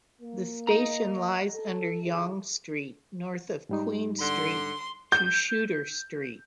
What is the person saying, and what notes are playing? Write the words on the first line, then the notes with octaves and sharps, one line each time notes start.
The station lies under Yonge Street north of Queen Street to Shuter Street.
A#3
D#5 A#5
A4
D3 E4 G#4
G#2 G3 D#4
D3 C6
G6